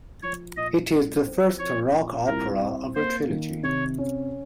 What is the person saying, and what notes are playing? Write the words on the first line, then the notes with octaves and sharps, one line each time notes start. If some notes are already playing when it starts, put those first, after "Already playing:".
It is the first rock opera of a trilogy.
F3 C#5
A#2 D#5
C2
C4
F3 C#5
A#2
C2 A#4
C4
A#3 C5
D#3
C3 C#5
C#4